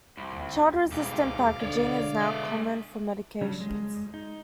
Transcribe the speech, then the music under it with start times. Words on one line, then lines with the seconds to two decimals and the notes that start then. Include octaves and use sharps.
Child-resistant packaging is now common for medications.
0.17 C2 F2
0.92 C2 G#2 B2 F5 D6
1.60 D3 C#5 D5
2.22 G#3 E5
3.41 C#3 F#3 G3 C#4 D4
3.60 G#3
4.14 D#4